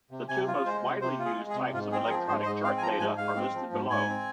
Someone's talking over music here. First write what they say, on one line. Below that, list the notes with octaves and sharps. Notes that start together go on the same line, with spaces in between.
The two most widely used types of electronic chart data are listed below.
C3
C3 G#5
F4
G#3 C5
C3
C3 C5
F4
G#4
G#3
G#4
C3
G#2 F4
C4 G#4
A#4
F3 G#4
G#2 C5
C5
G#2 D#5
C4 F5
G#5
F3 A#5
G#2 G#5
G#2 F5
C4
F3
G#2
G#2 G#5
C4